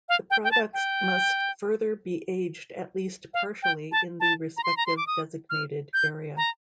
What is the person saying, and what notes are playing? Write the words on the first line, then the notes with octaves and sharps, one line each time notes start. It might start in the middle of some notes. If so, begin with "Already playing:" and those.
The products must further be aged at least partially in the respective designated area.
F5
G5
G5
A5
G5
F5
G5
A5
A5
A#5
C6
A#5
C6
D6
D#6
F6
G6
A#5